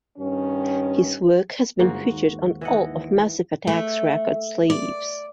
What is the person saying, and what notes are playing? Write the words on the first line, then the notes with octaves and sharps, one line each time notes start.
His work has been featured on all of Massive Attack's record sleeves.
G2 D#3 C#4
G1 G#2 A#3 F#4
D#2
E3 D#5 F#5
A3
D5